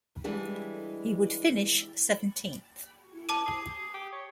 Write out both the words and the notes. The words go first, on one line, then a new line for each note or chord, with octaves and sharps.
He would finish seventeenth.
E3 G3 G#3 D4
A5 D6 D#7
G#4
G4
C#5